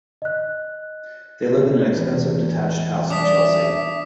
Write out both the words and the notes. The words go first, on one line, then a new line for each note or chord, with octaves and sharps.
They live in an expensive detached house in Chelsea.
D#5 F#6
E2
D4 E5 D6 D#6 B6